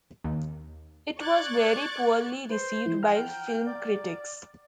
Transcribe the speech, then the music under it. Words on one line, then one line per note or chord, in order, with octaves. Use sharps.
It was very poorly received by film critics.
D#2
D5 C#6 D6 F#6 G#6 A6
B4 C5
E3 F3 E4
F#5 G5 A#5 F6
D5